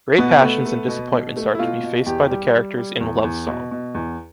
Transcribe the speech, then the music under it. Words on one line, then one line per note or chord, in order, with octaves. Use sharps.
Great passions and disappointments are to be faced by the characters in Love Song.
B2 B3
A3
A3
B2
B2
A3
E4
B2 F4
B2
E2 G4
G3
G3
G3
E2
E2
B2
B2
E2